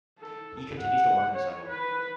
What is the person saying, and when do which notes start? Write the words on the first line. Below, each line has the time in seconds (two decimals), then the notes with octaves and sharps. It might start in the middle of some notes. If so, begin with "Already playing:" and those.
He continues to walk on the sidewalk.
0.20 A4
0.80 F#5
1.34 C#5
1.68 B4